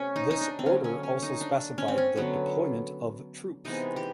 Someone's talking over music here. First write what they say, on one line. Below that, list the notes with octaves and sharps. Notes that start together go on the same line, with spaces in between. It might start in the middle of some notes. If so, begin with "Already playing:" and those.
This order also specified the deployment of troops.
Already playing: C3 A3 C#4
D#4
D#4
D4
C4
D3 F#3 A#3 C#4
C#4
C#4
D#4
D4
C#4
C4
C#4
D3 F#3 B3
C3 E3 G#3 B3 D#4
G4